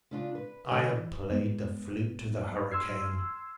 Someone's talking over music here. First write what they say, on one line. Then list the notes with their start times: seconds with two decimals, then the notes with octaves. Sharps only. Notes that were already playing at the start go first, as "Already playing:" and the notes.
I have played the flute to the hurricane.
0.11 C#3 D4 F4
0.35 B4
0.72 D3 C#5 D#5 G#5
0.89 E3
1.30 G2 G#3 B3
2.71 C6 E6 F6 G#6 C7